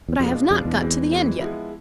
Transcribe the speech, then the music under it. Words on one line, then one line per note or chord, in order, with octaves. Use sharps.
But I have not got to the end yet.
E2
F2 B2 G#3 D4 F4
F2 B2 G#3 D4 F4
E2
E3 G#3 C4
E3 G#3 C4
F3 G#3 B3 E4